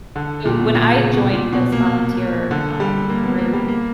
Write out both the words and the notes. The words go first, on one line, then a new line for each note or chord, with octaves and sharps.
So, when I joined this volunteer, um, group M
D3
A#2
B2
A#2
C#3
B2
A#2
B2
A#3
D3
G3
A#3
B3
A#3
G3
A#3